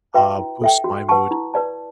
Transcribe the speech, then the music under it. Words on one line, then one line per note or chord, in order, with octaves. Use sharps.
uh, boosts my mood,
F#4 B4 E5 G5
E4
A4 E5 G5
F#4
B4 F#5 A5 C#6
E4
B4 D5 A5